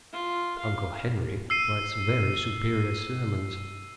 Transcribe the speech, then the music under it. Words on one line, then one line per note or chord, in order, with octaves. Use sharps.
Uncle Henry writes very superior sermons.
F4
F5
E6 C7 D#7